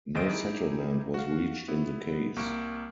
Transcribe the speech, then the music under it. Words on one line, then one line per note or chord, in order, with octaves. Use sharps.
No settlement was reached in the case.
A1 D#2 C5 D#5 D7
D#4 E4 G4 G#4
F#4 F5
B3 E4
C2 A#3 C#6 D7